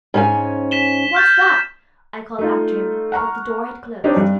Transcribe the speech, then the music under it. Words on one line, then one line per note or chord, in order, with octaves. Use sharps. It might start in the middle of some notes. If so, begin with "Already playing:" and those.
"What's that?" I called after him, but the door had closed.
G#2 C#4 G#5
B6 E7 G7
F6 G6 A6
A3 D#4 F4
F#5 A#5 C#6 F6
C4 D4 D#4 G4 C#5 D#5
G2